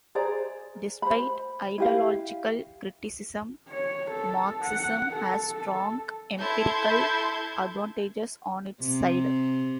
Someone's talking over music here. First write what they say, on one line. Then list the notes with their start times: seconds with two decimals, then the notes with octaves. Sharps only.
Despite ideological criticism, Marxism has strong empirical advantages on its side.
0.15 G#4 C5 D5 A#5
1.02 C5 B5
1.78 E4 G4 F5
3.69 C#5
4.11 A4
4.63 F#5
5.13 A4
5.53 A4
6.39 E4 A4 A5 C6 G6 G#6
8.81 C3